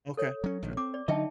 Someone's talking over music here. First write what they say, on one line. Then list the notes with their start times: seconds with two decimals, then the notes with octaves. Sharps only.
Okay, sure.
0.17 A4 C#5
0.44 F#3 C#4
0.62 A#1 D#3
0.77 C4 D6
0.94 D5
1.08 D3 F#3 D#4 D#5 E5 G5 A5